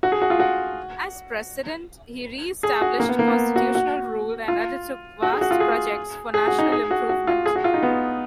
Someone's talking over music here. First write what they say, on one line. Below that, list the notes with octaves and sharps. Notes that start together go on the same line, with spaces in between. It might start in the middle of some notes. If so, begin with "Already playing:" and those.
As president, he re-established constitutional rule and undertook vast projects for national improvement.
F#4
G#4
F#4
F4
F#4
G#4
F#4
A#3
B3
A#3
B3
F#4
F#4
F4
F#4
G#4
F#4
F4
G#4
G#4
F#4
D#4
G#4
F#4
F#4
F4
G#4
F#4
F4
D#4
B3